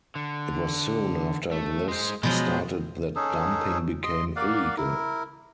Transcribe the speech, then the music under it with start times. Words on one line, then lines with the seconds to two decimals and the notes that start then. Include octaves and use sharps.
It was soon after this started that dumping became illegal.
0.15 D3
1.51 A3
1.88 G#3 C5
2.23 B2 F3 F#3 G#3
3.16 C#4 D#4 G#4 A4
4.03 D#5 C6
4.36 A#3 D5 F5 F#5
4.77 E4 A#4